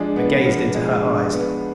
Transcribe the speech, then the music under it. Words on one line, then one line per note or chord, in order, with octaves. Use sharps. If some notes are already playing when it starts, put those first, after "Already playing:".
I gazed into her eyes.
Already playing: F3 G#3 D4
B3
F3
G#3
D4
B3